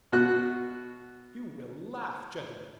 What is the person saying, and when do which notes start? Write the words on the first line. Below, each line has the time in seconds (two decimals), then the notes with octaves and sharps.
You will laugh, gentlemen.
0.12 B2 F#4 F#6